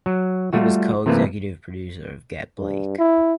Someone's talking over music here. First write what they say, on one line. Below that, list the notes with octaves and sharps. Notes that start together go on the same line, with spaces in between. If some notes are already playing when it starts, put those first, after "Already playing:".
He was co-executive producer of "Get Blake!".
F#3
G3 A3 F4 F#4
C3 E3 A3 A#3 B4
G2
E4